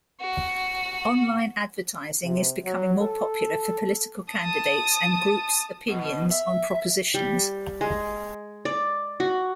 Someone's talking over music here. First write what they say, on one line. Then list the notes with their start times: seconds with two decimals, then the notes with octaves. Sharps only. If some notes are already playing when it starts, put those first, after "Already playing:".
Online advertising is becoming more popular for political candidates and group's opinions on propositions.
0.21 F#4
2.24 C3
2.65 F#3
3.01 A4
4.33 A5 D#6
5.89 B2
6.31 E5
7.14 G3
7.81 G#3
8.65 D5
9.20 F#4